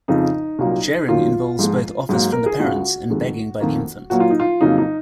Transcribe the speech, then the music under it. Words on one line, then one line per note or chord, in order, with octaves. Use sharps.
Sharing involves both offers from the parents and begging by the infant.
F2 C#3 F3 D#4
C2 A#2 F#3 A#3
F#2 D#3 F#3 A#3 F4
G#2 F3 G#3
G#2 F#3 A#3
A#4
G#4
C#2 C#3 G#3 F#4
F2 D#3 G#3
F2 D#3 A#3
A#2 F#3 A#3 F#4
F4
D#4
F4
F2 C#3 F#3 A#3 D#4
D#4